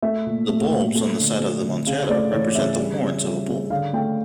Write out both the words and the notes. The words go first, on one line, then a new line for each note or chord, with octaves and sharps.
The "bulbs" on the sides of the montera represent the horns of a bull.
A3 E5
A#2
A3
A#2
A3
D3
A3
D3
C#3 F5
A3 D5
E3 C#5
C#3 E5
G3
C#3
G3
C#3
D3 F5
A3 G5